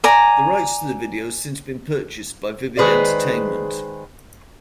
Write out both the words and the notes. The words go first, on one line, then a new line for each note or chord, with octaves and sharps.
The rights to the video has since been purchased by Vivid Entertainment.
D5 G#5 A#5
D#3 G#3 G#4 B4 C5 D5